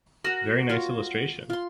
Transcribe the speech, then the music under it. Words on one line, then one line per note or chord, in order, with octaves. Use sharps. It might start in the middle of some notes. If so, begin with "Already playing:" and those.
Very nice illustration!
F#4 A#4 A#5
F4 A#4 C#5
F4 C6